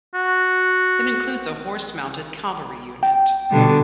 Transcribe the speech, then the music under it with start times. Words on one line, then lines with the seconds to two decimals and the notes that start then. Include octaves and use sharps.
It includes a horse mounted cavalry unit.
0.14 F#4
3.03 G5
3.51 B2 D3 G3